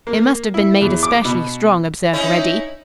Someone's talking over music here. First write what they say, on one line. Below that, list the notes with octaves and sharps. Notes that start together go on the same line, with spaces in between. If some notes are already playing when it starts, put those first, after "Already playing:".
"It must have been made especially strong," observed Reddy.
A#3
E4
E2
D6
B2
C#4 D#4 E4